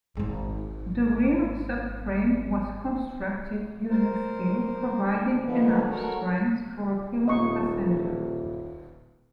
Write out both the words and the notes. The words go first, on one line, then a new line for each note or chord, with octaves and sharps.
The rear subframe was constructed using steel, providing enough strength for a pillion passenger.
G#1 G#2
A#4 C5
D4
D3 D#3 F3 B3 B4
F#4 A4 A#4 C#5
D#1 D#5 F5 C#6